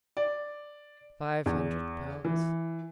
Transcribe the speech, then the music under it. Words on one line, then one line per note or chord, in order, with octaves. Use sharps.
Five hundred pounds!
D5
E2
E3